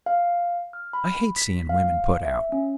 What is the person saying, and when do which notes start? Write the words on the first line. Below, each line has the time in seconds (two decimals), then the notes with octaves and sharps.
'I hate seeing women put out.
0.06 F5
0.73 F6
0.93 B5
1.37 B6
1.69 F5
2.23 E5
2.52 C#4